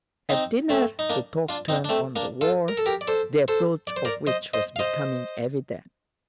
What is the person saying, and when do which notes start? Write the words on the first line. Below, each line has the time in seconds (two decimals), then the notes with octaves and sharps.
At dinner the talk turned on the war, the approach of which was becoming evident.
0.30 C4 D#4
0.69 A3 C4
0.99 D#4
1.10 A#3 D4
1.49 D4 F4
1.68 C4 D#4
1.84 D4
1.89 A3 C4
2.16 A#3 D4
2.41 F4 A4
2.68 A#4
2.77 A4
2.86 G4 A#4
3.01 D5
3.08 A4 C5
3.48 A4 C5
3.87 D5
3.97 C5
4.05 A#4 D5
4.27 C5 D#5
4.54 C5 D#5
4.76 F5
4.79 C5 D#5